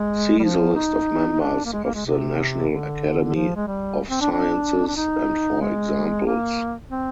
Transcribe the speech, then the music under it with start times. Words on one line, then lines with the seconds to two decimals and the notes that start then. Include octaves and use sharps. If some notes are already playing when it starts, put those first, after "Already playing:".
See the list of members of the National Academy of Sciences and for examples.
Already playing: G#3
0.39 G3
0.43 F3
0.75 D#4
1.41 D4
1.65 A#3
1.73 G#3
1.84 A#3
1.94 G#3
2.05 C3
2.70 D3
3.35 F3
3.56 G#3
3.67 G3
4.10 C4
4.21 D4
4.32 D4
4.87 D4
4.97 D#4
5.61 G#3
6.26 A#3
6.91 C4